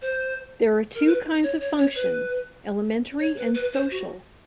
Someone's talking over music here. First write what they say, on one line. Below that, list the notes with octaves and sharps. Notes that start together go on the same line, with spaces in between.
There are two kinds of Functions: Elementary and Social.
C5
A#4
B4
C#5
C#5
C#5
B4
C#5
B4
B4
C5
F#4